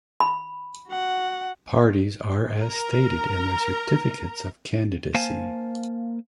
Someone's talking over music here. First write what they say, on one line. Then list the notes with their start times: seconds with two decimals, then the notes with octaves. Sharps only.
Parties are as stated in their certificates of candidacy.
0.20 B5
0.88 F#4 F#5
2.60 A#4 A#5
5.14 A#3 C5 F5 G#5 A5